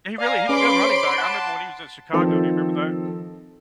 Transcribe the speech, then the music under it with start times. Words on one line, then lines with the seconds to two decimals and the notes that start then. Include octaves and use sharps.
He really he's a good running back. I remember when he was in Chicago. Do you remember that?
0.18 D5 F5 G#5 A#5
0.49 C#4 G#4 B4 B5 C6 D6 D7
0.83 C5 C#5
1.18 F#5 A5 F#6
2.13 D#3 F3 C4 A4